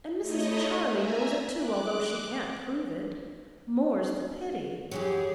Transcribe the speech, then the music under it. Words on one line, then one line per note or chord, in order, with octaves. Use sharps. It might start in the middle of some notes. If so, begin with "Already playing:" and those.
And Mrs. Charley knows it too, although she can't prove it--more's the pity!
A3 D#4 E4 C#5 D#5
E5 G#5 A#5
D6 F#6
F#2 E3 F#3 G4 G#4